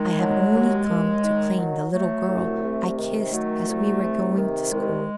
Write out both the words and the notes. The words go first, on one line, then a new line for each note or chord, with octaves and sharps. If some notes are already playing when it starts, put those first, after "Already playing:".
"I have only come to claim the little girl I kissed as we were going to school."
Already playing: D#3 G#3
F#3
D#2
D#2
D#3
F#3
F#3 A3
C2
C3
D#3
F#3 A3
C2
C3
D#3
C2 G#3